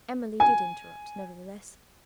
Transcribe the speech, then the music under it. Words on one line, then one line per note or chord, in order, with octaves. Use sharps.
Emily did interrupt, nevertheless.
G#5